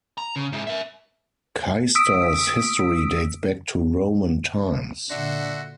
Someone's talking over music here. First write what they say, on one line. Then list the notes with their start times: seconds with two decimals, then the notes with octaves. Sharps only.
Caister's history dates back to Roman times.
0.18 A#5
0.36 C#3
0.52 G#2 E4
0.67 A#4 E5
1.95 D#6 E6 B6 D7
5.10 A#2 D3 D4 F#4 E5 F#5 C6